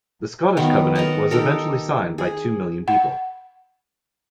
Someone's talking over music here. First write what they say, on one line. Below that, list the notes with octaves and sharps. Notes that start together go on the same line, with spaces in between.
The Scottish Covenant "was eventually signed by two million people".
D#3 F#3 B3
A#4 D#5 F#5 A5
D#4 G4 A4 A#4
G#4
F#5